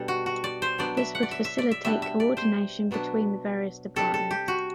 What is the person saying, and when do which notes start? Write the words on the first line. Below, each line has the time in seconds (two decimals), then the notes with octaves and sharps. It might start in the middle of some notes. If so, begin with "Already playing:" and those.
This would facilitate coordination between the various departments.
Already playing: B2 G3 D4 A4
0.08 F#4
0.26 F#4
0.44 D5
0.62 C5
0.78 F#3 B3 D4 D5
0.97 E5
1.15 F#5
1.23 D5
1.31 E5
1.45 E5
1.58 D5
1.71 E5
1.84 B2 G3 B3 D4 E5
2.02 E5
2.20 D5
2.37 C5
2.91 B2 F#3 B3 D4
3.96 C3 G3 D4 A4
4.14 A4
4.31 G4
4.48 F#4